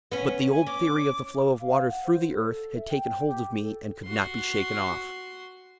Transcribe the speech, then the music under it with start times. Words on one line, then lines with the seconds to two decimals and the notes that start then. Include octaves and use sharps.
But the old theory of the flow of water through the earth had taken hold of me and could not be shaken off.
0.12 B3 C#4
0.52 G#5
0.66 C#4 D6
1.60 F5
1.89 F#5
2.04 C5
2.31 A4
2.76 E5
2.89 G5
3.28 G4
3.61 A4
4.05 F#4 C6